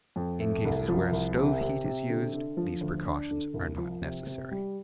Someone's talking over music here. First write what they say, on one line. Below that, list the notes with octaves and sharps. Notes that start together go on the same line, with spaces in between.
In cases where stove heat is used these precautions are not necessary.
F2
A3
C2
F3
C2
C3
C3
C3
D3
D3
F3
D2
D4
D3
C2
F3
C3
C3
G3